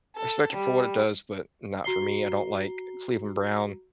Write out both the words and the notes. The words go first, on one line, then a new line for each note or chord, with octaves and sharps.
I respect it for what it does, but not for me. I don't like Cleveland Brown
A4
G3
F#4 A#5 C7 G7